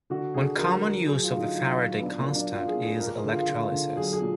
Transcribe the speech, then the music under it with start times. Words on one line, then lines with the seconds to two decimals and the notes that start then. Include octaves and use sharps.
One common use of the Faraday constant is electrolysis.
0.10 D3 F#4
0.34 D3 G#4
0.58 F#3 A#4
0.83 F#3
1.06 F#3 G#4
1.23 F4
1.30 D3
1.39 D#4
1.55 F#3
1.79 F#3
1.97 B3
2.03 A#2 D4
2.19 A#3
2.27 F#3
2.35 D4
2.52 F#3 F4
2.68 G#4
2.76 A#2
2.84 G#4
3.00 G#3 A#4
3.16 G#4
3.24 D3
3.32 F4
3.48 D3 F4
3.72 D3
3.96 F#3 G#4
4.13 G#4
4.21 A#2